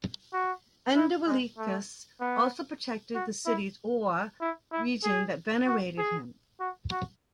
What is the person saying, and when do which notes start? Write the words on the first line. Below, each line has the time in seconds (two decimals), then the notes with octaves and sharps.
Endovelicus also protected the cities or region that venerated him.
0.33 F#4
0.96 E4
1.27 G#3
1.58 A3
2.20 B3
3.14 F#4
3.46 E4
4.41 E4
4.72 E4
5.04 G#4
5.67 F#4
5.98 G#4
6.60 F#4
6.91 F#4